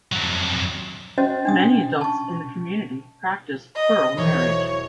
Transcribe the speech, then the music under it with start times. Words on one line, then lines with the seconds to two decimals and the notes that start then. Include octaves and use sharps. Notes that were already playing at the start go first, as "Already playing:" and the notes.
Many adults in the community practice plural marriage.
0.12 F2 F#3
1.18 C#4 F#4 C5 D#5
1.45 D4 G5 D#6
2.01 A5 C#6
3.76 D#5
4.18 E1 E3 C5 C#5